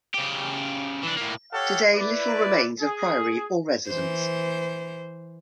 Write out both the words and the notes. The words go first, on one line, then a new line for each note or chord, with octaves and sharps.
Today little remains of priory or residence.
C#3 G4
E3 D4
A2 A#3
G4 A4 C#5 F5 F#5
E4 B4 D5
G#4
E3 C5